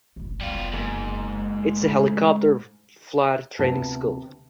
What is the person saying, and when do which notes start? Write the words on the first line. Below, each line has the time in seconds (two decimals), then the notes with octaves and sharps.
It is a helicopter flight training school.
0.16 F1 A#1
0.41 F1 G3 B3 F4
0.73 F#1 G#2
1.82 A2 C#3 E4
3.59 D2 C3 B3 F4 B4 A5